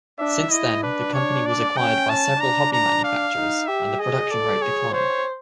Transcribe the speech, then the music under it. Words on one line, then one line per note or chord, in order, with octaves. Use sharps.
Since then the company was acquired by several hobby manufacturers and production rate declined.
D4 E5
E4 D#5
D4 B4
C#5
D5
C#4 G5
A5
D4 A#5
A#5
F5
D#4
G4 E5
G#4 D#5
A4 D5
G#4 C#5
C5 C#5